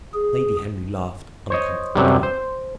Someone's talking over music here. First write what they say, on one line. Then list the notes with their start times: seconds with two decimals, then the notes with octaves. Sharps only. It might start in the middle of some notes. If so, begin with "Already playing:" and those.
Lady Henry laughed uncomfortably.
0.14 G#4
1.50 C5 C#5 D#5
1.95 F#2 C3 F#3 G3
2.23 C5